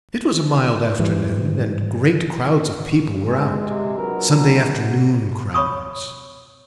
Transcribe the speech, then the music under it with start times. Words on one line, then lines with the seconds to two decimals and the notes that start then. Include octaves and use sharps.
It was a mild afternoon and great crowds of people were out. Sunday afternoon crowds.
0.99 G#2 E3 G3
3.26 G#3 C4
3.61 C3
3.97 A#1 B2 F#3 A#4
5.54 C#5 B5 C#6 D#6